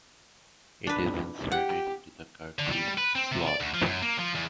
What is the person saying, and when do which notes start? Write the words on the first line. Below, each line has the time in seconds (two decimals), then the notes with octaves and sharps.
It is inserted into the Cartridge Slot.
0.87 D4 B4
1.52 G4 F#5
2.59 D3
2.72 G3
2.98 B4
3.15 C4
3.32 C3
3.47 D5
3.61 D2
3.74 F3
3.86 F#2
4.02 A#3
4.18 F3
4.35 E2